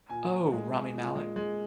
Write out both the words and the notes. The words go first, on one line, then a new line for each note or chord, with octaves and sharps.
Oh, Rami Malek?
A#2 G#5
A#2
G#3
G#3
A#2
G#3
G#3